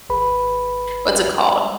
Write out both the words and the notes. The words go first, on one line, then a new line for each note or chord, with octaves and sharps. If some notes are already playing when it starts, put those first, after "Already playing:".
what's it called?
G#1 G#4 B4 B5